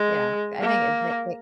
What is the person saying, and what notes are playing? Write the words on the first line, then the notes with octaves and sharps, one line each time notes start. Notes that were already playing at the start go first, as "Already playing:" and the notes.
you know. I think it it it
Already playing: G#3
A#3